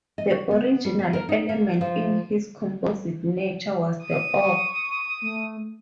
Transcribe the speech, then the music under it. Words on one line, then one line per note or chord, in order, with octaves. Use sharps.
The original element in his composite nature was the oak.
D#5
F#4
B3
G3
G3
A#4
D#4
A#3
F3
D#6
C#6
A3